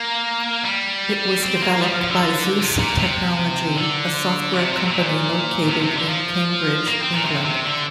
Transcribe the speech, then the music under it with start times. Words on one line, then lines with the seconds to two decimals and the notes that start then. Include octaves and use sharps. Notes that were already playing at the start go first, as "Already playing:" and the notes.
It was developed by Zeus Technology, a software company located in Cambridge, England.
Already playing: A#3
0.65 G3
1.43 C4
1.62 A#3
1.81 G3
1.90 F3
2.01 F3
2.10 D3
2.59 C3
2.79 A#2
2.98 C3
3.76 D3
4.53 C3
4.73 C3
4.86 C3
4.92 A#2
5.70 C3
5.83 C3
5.96 D3
6.08 F3
6.87 A#3
7.00 C4
7.12 A#2
7.25 C3
7.45 C3
7.64 D3